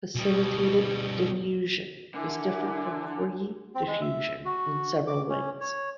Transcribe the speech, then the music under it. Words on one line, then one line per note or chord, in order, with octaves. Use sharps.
Facilitated diffusion is different from free diffusion in several ways.
B2 G3
D3 E4 A#4 G#5 D6
C4
G#3
E5
F#4
D6
C#4
C#5